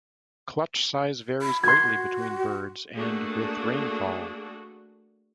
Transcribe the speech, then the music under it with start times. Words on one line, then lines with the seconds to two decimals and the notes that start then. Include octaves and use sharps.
Clutch size varies greatly between birds and with rainfall.
1.42 B5
1.63 F#4 C6 G#6
2.94 A3 A#3 D4 F#4 G#4 A4